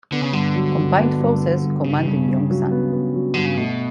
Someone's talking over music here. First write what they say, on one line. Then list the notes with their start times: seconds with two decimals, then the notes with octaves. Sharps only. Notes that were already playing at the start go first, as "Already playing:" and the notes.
Combined Forces Command in Yongsan.
0.12 D3 B3
0.22 C#3
0.33 G2 D3
0.55 F#3
0.77 G2
0.98 B3
1.20 G2
1.41 B3
1.63 G2
1.84 G2 C#3
2.06 G2
2.28 G2
2.50 F#3
2.71 B3
2.93 B3
3.14 F#3
3.34 G2 D3
3.45 C#3
3.57 B2 A3